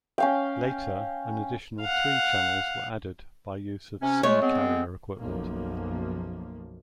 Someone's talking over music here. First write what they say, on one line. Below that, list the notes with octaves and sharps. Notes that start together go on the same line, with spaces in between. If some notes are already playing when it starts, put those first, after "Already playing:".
Later, an additional three channels were added by use of C Carrier equipment.
C#4 F5 G5
F5 F#5
C3 C#4
G#3 A3 C#5
G#3 B3 C4
B1 F#2 F3 A#3